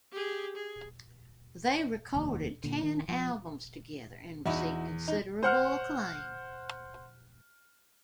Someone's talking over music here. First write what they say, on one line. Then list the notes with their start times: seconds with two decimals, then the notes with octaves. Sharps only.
They recorded ten albums together and received considerable acclaim.
0.11 G4 G#4
0.56 G#4
2.14 F1 D#2
2.64 A#2 D3
2.83 D#3
3.08 F3
4.46 E2 D#4 E4 F#4
5.08 D#4
5.43 C5 F#5 F6